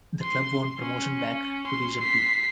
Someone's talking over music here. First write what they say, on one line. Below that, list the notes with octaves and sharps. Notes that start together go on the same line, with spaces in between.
The club won promotion back to Division Two.
C6
C#4
C6
B6 C7